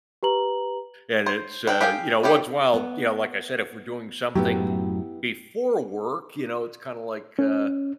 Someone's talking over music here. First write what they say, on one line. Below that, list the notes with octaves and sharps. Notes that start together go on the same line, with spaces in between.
and it's, uh, you know, once in a while, you know, like I said, if we're doing something before work, you know, it's, kinda, like, uh,
G4 B4 A#5 F#7
C5
D4 G5
G4 G#4 F5 G5
E3 G4 C#5 D5
B3
F#2 A2 F#3 B3 E4 G4
C#4